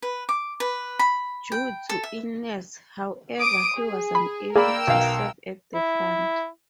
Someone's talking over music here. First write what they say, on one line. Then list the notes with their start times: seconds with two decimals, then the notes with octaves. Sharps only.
Due to illness, however, he was unable to serve at the front.
0.02 B4
0.29 D6
0.60 B4
0.99 B5
1.52 G5
1.89 A4
2.03 E5
3.37 D6 D#6 D7
3.76 G#4
4.15 B5
4.56 A#3 G#4 A#4 D5 G5 B5 E6
4.87 B1 F5
5.74 E4